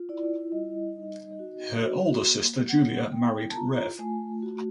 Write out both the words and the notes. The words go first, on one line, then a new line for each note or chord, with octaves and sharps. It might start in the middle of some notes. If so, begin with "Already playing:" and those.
Her older sister Julia married Rev.
Already playing: F4
E4 D5
G3 D#5
D#4
F#4
F#4
A#3
B3 F#5
E4 G5
A5
F4 A#5
A3 G#5
F#4